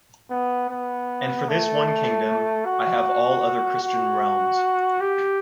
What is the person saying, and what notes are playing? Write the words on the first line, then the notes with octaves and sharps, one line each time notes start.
And for this one kingdom, I have all other Christian realms.
B3
B3
A3
F#4
F#4
G4